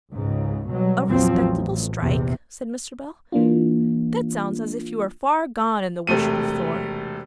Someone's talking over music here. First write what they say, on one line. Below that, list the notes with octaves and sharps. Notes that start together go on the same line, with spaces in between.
'A respectable strike!' said Mr. Bell. 'That sounds as if you were far gone in the worship of Thor.'
C#2 G#2 C#3
B2 F#3 G3
A#1 E2 F3 F#3 C4
A1
A#1 E2 C3
E3 A#3 D4 F4
E1 C3 A3 D#7